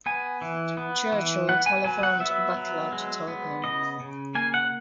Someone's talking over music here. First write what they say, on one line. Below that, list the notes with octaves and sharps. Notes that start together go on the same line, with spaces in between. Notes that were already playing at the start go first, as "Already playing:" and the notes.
Churchill telephoned Butler to tell him.
B3 G#5
E3
B3
E3
B3 F#5
G#5
F#3 G#5
F#5
B3 E5
F#3
G#3
B3
C#3 D#5
C#3
A#3 G#5
F#5